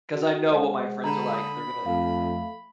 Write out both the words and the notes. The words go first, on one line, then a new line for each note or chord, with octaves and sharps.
'cause I know what my friends are like. They're gonna
F#4
G#3 C5 F#5
D3 A#5 B5
D#6
F2 A3 F5